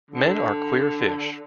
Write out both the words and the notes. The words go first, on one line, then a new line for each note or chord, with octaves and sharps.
Men are queer fish.
D3